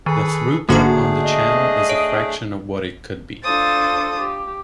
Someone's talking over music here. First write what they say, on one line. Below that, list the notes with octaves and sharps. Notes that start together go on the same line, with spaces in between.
The throughput on the channel is a fraction of what it could be.
D#3 G#4 A4 B4 D#7
G#1 D3 A3 A#3 D4 F#4 G#4 A#5
D#5
C#5 D7
D4 F4 A4 C5 D#6 A6
G4